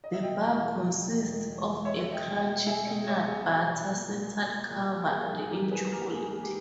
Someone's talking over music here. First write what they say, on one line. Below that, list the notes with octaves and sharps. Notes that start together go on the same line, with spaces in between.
The bar consists of a crunchy peanut butter center covered in chocolate.
D#5
E5
B2 D#5 G5
E2
G#3
B2
G#3
E2
E2
G#3
G#3 C#5 E5
G#3 E5
D#5 G5
B2
D#5 G5
G#3
G#3 E5 G#5
B2 D#5 G5
G#3 C#5 E5
B2 G#4
A#2
A#2
A#3
A#2
A#3
A#3
A#2
G3
A#4
A#3 G#4
G#2 G#4
E3 G4 A#4
E3 G#4 B4
G#4
A#3 G4 A#4
G#2 G#4
A#3 G#4
G4